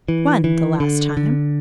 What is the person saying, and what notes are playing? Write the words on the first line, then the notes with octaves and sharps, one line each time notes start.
"One, the last time."
E3
E3
D3
D3